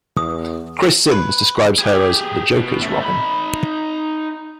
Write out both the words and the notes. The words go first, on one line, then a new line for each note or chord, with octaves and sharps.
Chris Sims describes her as the Joker's Robin.
E2 D#6
B4
G4 G#4
B2
F#2 A3
D#4 B5